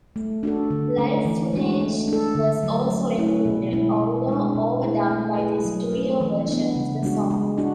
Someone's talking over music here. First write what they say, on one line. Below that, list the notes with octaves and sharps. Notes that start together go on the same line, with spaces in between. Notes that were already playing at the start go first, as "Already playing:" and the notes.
Live footage was also included, although overdubbed by the studio version of the song.
A3
D4 F#4 A4
D3
A3 C#4
E3
G#3 D4 F#4
A3
D4 A4
D3
F#3 A3
F#3
A3 C#4 E4 B4
B2
G#3 C#4 E4
B2
G#3 D4
B2
A3 E4 G#4 B4
A3
E4 G#4 B4
F#3
A3 C#4
E3
B3 D4
C#3
G#3 D4 F#4
G#3
D4 F#4